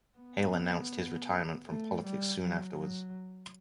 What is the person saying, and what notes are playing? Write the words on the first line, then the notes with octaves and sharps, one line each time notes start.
Hale announced his retirement from politics soon afterwards.
B3
A3
G3
F#3
F#3